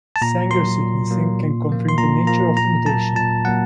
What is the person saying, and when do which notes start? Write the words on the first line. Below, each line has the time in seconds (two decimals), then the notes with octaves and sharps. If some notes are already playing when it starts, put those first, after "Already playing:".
Sanger sequencing can confirm the nature of the mutation.
0.16 A5
0.22 A#2 A#5
0.51 F#3 A#3 C6
0.81 A#2
1.10 F#3 A#3
1.40 A#2
1.69 F3 A#3
1.88 C6
1.98 A#2 A#5
2.27 F3 A#3 A#5
2.57 A#2 A#5
2.86 F#3 A#3 A5
3.16 A#2 A5
3.45 F#3 A#3 F#5